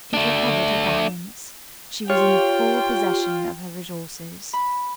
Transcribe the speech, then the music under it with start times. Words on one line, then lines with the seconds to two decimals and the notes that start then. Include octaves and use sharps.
She had recovered her balance; she was in full possession of her resources.
0.13 A3 D4
2.10 F4 G4 C#5 G5
4.53 B5